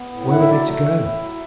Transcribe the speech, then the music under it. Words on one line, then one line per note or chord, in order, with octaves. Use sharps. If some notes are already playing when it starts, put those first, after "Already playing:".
Where were they to go?
Already playing: B3
A2
E4 F#5
E5
F#3 D5
E5
A3
A2
E4
F#3